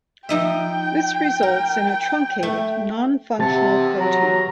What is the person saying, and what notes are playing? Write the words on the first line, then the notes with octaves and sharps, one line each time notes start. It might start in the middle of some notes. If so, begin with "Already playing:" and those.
This results in a truncated non-functional protein.
F3 D#4 E5 G5
A#4
A3
C3 E3 G4 F#5 A5 A6
F#3 A#5